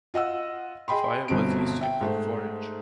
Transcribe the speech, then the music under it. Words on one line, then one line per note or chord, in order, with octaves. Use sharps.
Fire was used to improve forage.
F4 D#5 F#5 E6
G#4 D#5 G5 B5 C6
G1 G2 B2 C4 D7
E5 G5
G#2 A3 C5